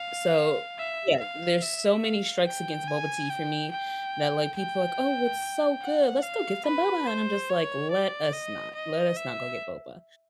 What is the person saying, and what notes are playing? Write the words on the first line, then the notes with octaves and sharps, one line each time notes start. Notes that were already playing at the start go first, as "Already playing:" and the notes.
so, yeah, there's so many strikes against boba tea for me that, like, people are like, "Oh, it's so good. Let's go get some boba," and I'm just like, "Let us not, let us not go get boba.
Already playing: F5
E5
F5
E5
F5
G5
G#5
G5
G5
G5
F#5
F5
B4
C5
C#5
D5
D#5
D#5
E5